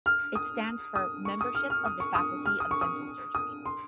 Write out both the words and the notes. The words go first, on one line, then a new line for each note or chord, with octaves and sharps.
It stands for Membership of the Faculty of Dental Surgery.
F6
D#6
D#6
C#6
D#6
F6
F6
D#6
C#6
D#6
F6
D#6
C#6
D#6
D#6
C6